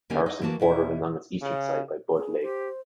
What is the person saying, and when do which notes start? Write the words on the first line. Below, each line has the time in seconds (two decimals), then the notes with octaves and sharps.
Harrison is bordered along its eastern side by Budd Lake.
0.10 D#2 D3 A#3 C#4 G4 G#5
0.26 D#4
0.42 E3 A#3 F#4 A5
0.60 E2 B2 E4
1.41 C#3
2.17 G#4
2.42 G4 C5